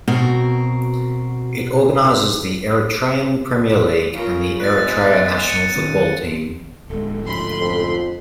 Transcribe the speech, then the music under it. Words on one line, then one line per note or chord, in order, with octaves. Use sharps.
It organizes the Eritrean Premier League and the Eritrea national football team.
B2 C4 F#4 A#4
C#3 F4 A#4
G#3 B3 F#6 A6
C#7 D#7
C2 D#3 B3 C#4
D1 G#3 A4
D2 G#2 F3 B5 C6
F2